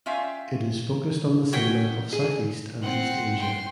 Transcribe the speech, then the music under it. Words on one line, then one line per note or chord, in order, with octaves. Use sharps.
It is focused on the cinema of Southeast and East Asia.
C#4 F4 E5 F5 G5
C#4 F#4 G5 B6
G#4
C4 F#5
G5 C6